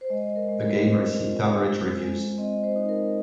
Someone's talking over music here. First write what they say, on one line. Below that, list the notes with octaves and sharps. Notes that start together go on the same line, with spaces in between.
The game received average reviews.
C5
G#3 D#5
A#4
G#3
A#4
C4 C5
F4
G#3
G#3
C4 D#5
C5
D#4
A#4